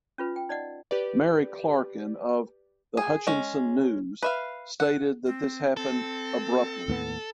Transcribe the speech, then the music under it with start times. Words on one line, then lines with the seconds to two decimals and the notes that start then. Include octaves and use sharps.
Mary Clarkin of "The Hutchinson News" stated that this happened "abruptly".
0.18 C#4 F4 B4
0.36 G5
0.49 D#4 D5 D#5 F#5
0.91 G4 B4 D5
2.97 G#4
3.27 G#3 C#4
4.22 B4 E5 F5
4.80 F#5
5.26 C4
5.77 C4 A4
6.88 D#2 A2 B3